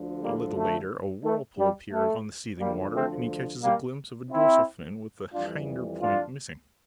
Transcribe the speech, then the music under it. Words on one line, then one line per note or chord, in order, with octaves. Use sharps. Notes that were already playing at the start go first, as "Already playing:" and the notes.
A little later a whirlpool appears on the seething water, and he catches a glimpse of a dorsal fin with the hinder point missing.
Already playing: D2 D3 F3
G3 A#3
A3
A3
G3
A3
D2 D3 F3 G3 A#3
A3 C4
G3 A#3
C4 E4
F2 E3 G3 D4 F4
D4 F4